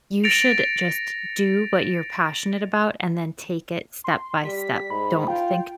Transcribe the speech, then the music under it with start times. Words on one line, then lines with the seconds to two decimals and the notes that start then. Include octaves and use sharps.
You should just do what you're passionate about, and then take it step by step. Don't think
0.24 A6 A#6 C#7 D7 F7
4.04 C6
4.44 G3 B6
4.90 G#2 B5
5.28 F4 G5